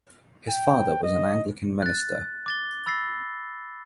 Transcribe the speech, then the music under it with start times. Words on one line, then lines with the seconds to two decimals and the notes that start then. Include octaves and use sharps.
His father was an Anglican minister.
0.48 G5
1.04 D#5
1.82 F#6 A6
2.46 D6 A6 G7
2.86 B5 E6 A6 A#6 C7